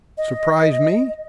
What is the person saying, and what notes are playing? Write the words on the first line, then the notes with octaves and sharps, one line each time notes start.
"Surprise me?"
D#5